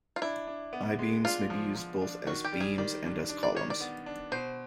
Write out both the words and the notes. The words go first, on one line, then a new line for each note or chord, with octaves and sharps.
I-beams may be used both as beams and as columns.
F4
D4 E4
D4
B3
G#3
D4 F4
F3
F3
D4
D#3 F#4
G4
G3
G#4
D#3 D5
D4
D4
D5
D#3 C#5
D5
B3
D4
B2 C5